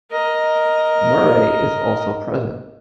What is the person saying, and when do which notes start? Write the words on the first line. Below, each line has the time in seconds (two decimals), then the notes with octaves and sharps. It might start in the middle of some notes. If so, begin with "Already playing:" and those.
Murray is also present.
0.11 A#4 D#5